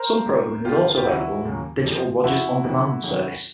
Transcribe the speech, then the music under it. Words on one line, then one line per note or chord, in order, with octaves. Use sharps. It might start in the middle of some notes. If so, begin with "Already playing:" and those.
Some programming is also available on the digital "Rogers On Demand" service.
Already playing: A#4 C5
C#2 B2 G#3
C#2 B2 G#3 F4 G4
G4
D#2 C#3 F#3 A#3 E4 F#4
D#2 C#3 F#3 A#3
F2 C#3 F3
F2 C#3 F3 E4 F#4
F2 C3 D#3 F#3
F2 C3 D#3 F#3